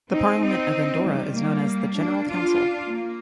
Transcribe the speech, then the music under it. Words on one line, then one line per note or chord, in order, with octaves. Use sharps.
The Parliament of Andorra is known as the General Council.
C4 D#4
C4 D#4
D#3 G3
G3 A#3
A#3 D4
D4 F4
A#3